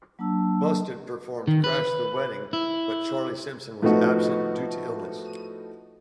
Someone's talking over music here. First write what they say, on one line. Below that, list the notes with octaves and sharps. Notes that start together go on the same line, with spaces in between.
Busted performed "Crashed the Wedding" but Charlie Simpson was absent due to illness.
F#3 A#3 D4 A5 E6
D#3
B4
E4
A2 F3 A3 B3 D#4 F#4